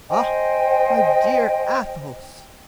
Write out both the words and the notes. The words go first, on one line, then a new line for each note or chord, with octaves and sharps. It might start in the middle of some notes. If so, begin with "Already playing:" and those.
"Ah! my dear Athos!"
C5 D#5 G5 G#5